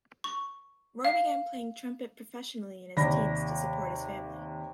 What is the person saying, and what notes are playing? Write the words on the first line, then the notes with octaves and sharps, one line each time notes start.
Roy began playing trumpet professionally in his teens to support his family.
C#6
F5
D#2 C3 D5 B5 A#6